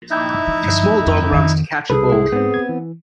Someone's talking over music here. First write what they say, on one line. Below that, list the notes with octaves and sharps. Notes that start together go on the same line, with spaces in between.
A small dog runs to catch a ball.
D#4 E4 E5
F3
F2
F2 D#3
C2 G#4 A4 B4
G#3 E4
G#2 B3 C4
G#6
E3